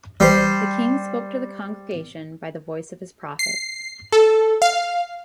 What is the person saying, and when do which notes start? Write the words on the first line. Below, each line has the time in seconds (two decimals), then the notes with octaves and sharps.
The king spoke to the congregation by the voice of his prophet.
0.20 G3 C5
3.39 C7
4.13 A4
4.62 F5